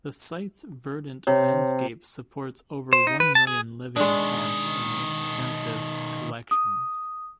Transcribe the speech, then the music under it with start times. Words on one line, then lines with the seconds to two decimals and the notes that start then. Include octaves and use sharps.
The site's verdant landscape supports over one million living plants in extensive collections.
1.27 C3 C#5
2.93 C5
3.07 D#4
3.20 B4
3.35 A5
3.47 G#4
3.96 B2 D#3 G#3 D4
6.51 D#6